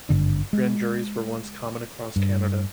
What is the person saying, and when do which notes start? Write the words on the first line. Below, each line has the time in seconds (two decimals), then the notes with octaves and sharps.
Grand juries were once common across Canada.
0.09 G#1 G2 D3 D4
0.53 G#3
2.16 G2